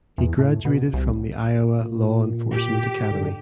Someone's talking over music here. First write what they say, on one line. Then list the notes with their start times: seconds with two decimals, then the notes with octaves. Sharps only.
He graduated from the Iowa Law Enforcement Academy.
0.18 E2
0.39 A2
0.65 B2
0.94 C2
1.81 A#2
2.53 G4
3.11 G#2 D3